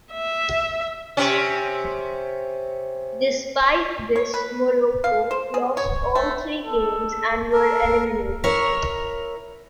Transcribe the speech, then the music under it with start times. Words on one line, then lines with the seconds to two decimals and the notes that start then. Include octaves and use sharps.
Despite this, Morocco lost all three games and were eliminated.
0.12 E5
1.17 C3 C#4
4.16 C#5
4.34 B4
5.04 F5
5.31 C5
5.54 G#4
5.77 C#5
6.15 A3
6.64 A4
7.53 A4 A#4
8.44 E4 A#4 C#5